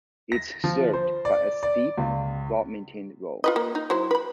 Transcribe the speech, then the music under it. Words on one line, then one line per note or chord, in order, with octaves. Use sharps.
It is served by a steep, well maintained road.
A#6
F3
C5
D5
D5
C#2
F4 B4 D#5
A#3
D#4
F#3 E4 C5
B4 B5